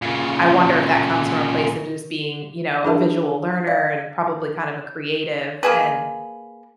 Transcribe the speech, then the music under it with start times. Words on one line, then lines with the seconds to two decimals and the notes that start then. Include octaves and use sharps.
I wonder if that comes from a place of just being, you know, a visual learner and probably kind of a creative and,
0.02 A#2 C#3
2.85 D4 E4 G#4 A#4 E5 A5
3.67 D5 F5
5.63 A#3 G#4 B4